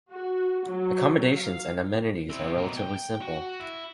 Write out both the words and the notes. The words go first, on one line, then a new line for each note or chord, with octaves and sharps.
Accommodations and amenities are relatively simple.
F#4
F#3
F5
C4 E4
B2 A#3
G5
F#4
E4